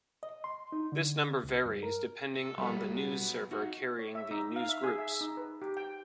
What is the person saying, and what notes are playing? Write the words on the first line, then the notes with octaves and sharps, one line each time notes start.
This number varies, depending on the news server carrying the newsgroups.
D#5
C6
D#4
D3
C#2
G2
A#4
A4
F#3 G3 B3 A4
D#4 F#4
C#5
E5
D#4
F5
E5
G#4
E5
D#4
B4
G4
G5